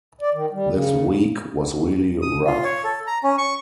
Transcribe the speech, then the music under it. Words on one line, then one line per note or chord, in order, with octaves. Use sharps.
This week was really rough.
D5
D#3
G3
C#3
D#6
F4
C#5
A4
A#5
C#4
C#6